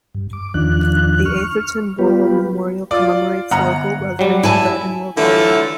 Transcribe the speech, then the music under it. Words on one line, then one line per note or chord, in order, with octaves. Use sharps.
The Atherton War Memorial commemorates local residents who died in World War One.
G2
D6
E2 D#3 F3 D4 F#6
C#6 F6
G3 B3 F4 G4 B4
F4 D5
G1 F#5 A#5
F#3 G3
E4 G#5 A5
D3 E3 F#3 A3 E4 F4